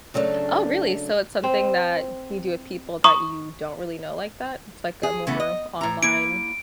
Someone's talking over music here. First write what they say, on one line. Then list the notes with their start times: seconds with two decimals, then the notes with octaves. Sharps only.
Oh, really? So, it's something that you do with people that you don't really know like that? It's like a more online
0.14 C#3 F#3 A3 D4
1.44 C4
3.04 A#5 C#6 D#6
5.03 G#4
5.27 C#3 A3 B3
5.40 D#5
5.81 A2 A#5
6.03 A#3 E4 D7